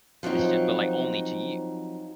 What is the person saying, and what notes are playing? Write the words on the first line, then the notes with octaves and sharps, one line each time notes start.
It's just but, like, only to you.
F3 F#3 C4 D#4